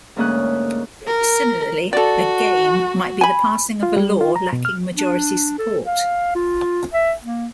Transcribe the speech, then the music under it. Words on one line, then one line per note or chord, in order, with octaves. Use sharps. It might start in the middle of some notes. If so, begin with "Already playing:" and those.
Similarly, a "game" might be the passing of a law lacking majority support.
D2 G#2 A#3 C#4 D#6 F#6
A#4
F#4 A4 D5
G#5 B5
F4
G3
F4
A#5
B2
F6
D4
A4
F5
F4
E5
A#3